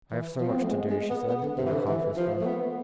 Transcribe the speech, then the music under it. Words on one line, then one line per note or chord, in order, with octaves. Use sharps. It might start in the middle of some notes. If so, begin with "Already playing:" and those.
"I have so much to do," she said, in a half-whisper.
E3
F3
C4
B3
A3
G#3
G#3
B3
B3
D3
C3
E3
D3
E3
F3
A3
B3